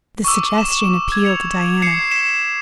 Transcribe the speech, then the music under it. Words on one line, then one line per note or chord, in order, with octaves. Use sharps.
The suggestion appealed to Diana.
C#6 D6 E6
E7
G#6
C#7 F7
G#6 C7 C#7 E7
B6 E7